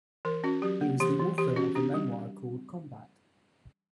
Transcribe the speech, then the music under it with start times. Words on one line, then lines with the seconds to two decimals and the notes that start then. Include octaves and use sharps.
He was the author of a memoir called "Combat".
0.25 E3 A#4
0.44 C#4 F#4
0.62 F#3 G4
0.81 A#3
1.00 E3 G4
1.19 E3
1.38 E3 G4
1.56 C#4 F#4
1.75 D4 G4
1.94 G3